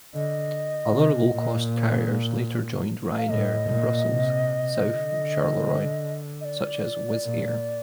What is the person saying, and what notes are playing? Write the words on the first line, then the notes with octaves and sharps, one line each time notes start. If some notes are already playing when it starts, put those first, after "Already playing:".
Other low-cost carriers later joined Ryanair in Brussels South Charleroi, such as Wizz Air.
D3 D#5
C3
A#2
F5
A2 D#5
A#2
C3
D3
D#5
D5
A#2